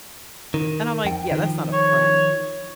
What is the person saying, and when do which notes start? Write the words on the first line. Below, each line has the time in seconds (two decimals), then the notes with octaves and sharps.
And I'm, like, "Yeah, that's not a friend."
0.54 D#3
1.05 F2 G5
1.32 D#3 F3
1.73 C#5